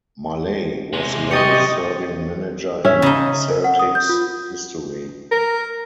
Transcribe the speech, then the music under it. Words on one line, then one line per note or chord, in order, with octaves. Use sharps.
Maley was the longest serving manager in Celtic's history.
C3 G#3
G4 D#5 C#6 A6 C#7
C#4 E5
C#3 D#4
A#4
F#5
D#6
G6
F4
A#4